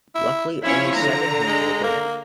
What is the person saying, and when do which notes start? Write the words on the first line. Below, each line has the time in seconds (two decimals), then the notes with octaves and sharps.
Luckily, only seven homes were burned.
0.15 E4
0.64 F3 C#4 E4 C#5
0.94 D3 A#5
1.47 G#3
1.83 A#3